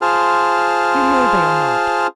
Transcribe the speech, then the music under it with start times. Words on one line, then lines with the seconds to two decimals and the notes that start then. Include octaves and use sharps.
You know they are not.
0.02 F4 G#4 C5 A5 F6